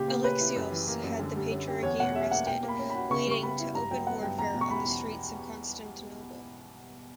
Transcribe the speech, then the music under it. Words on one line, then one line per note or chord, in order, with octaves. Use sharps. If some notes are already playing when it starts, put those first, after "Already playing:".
Alexios had the patriarch arrested, leading to open warfare on the streets of Constantinople.
Already playing: A#2 C#3 G4
A#3
C#4 B4
E4
F#2
E3
A#3
F#2
D3
G3
C#4
G4
E2 C#5
B2 F#5
G3 E5
A#3 F#5
B2 G5
A#3
B5
C#4
F#4 B5
C#3 C#6
G3 C#6
B3 B5
E4
G2 A#5
F#3 G5
B3 F#5
G2 G5
E2 A#5
B2
C#6
G3 B5
E2